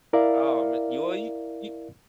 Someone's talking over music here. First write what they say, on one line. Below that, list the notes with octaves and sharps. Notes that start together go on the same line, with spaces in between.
Oh ma well, you you
E4 A#4 D5 E5 F5